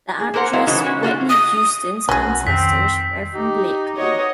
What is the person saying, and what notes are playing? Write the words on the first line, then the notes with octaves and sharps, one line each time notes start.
The actress Whitney Houston's ancestors were from Blakely.
G#4
A#3 B3 A#4 C5 F#5
F#3 G#3 E4 C5 F5
C#3 E3 F#3 A3 B3 D#4
C#4 F#4
A3 F4 F#4 A4
D#6
B1 C#4 F#4 G#4
F2 D#3 C4 B6
D#4 G4
F#4 C#5 D#5